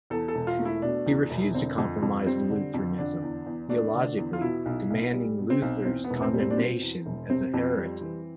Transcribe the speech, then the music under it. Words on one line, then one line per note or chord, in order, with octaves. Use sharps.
He refused to compromise with Lutheranism theologically, demanding Luther's condemnation as a heretic.
E2 A4
A4
E1
F4
A3
E4
B2 D4
E2
E1
D3 C4
F2
F2
G3 C4
D3
F2
D3 D4
E2
E2
A3 D4
D3
E2
F4
B2 E4
B1
B1
G3
B2
C4
B1
E2 C4
B3
E1
B3
C4
G3
C4
D4
B2 C4
E2
E1
C3 C4
F2
G3
E3